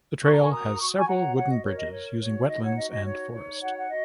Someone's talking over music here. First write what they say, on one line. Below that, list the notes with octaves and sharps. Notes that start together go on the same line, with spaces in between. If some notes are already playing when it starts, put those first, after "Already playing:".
The trail has several wooden bridges using wetlands and forest.
A#4 C#6
A#5
G#5 C#6
F#4 A#5 D#6
F#4 C#6
D#6
G#5 C#6
C#5 F#5 A#5
F#4 C#5 F#5
D#5
A#4 C#5
D#5
C#5
F#4 C#5
D#4 D#5
C#5 F#5
F#4 D#5
D#5
D#4 C#5
D#4 C#5
F#4 C#5 F#5
F#5
F#4 D#5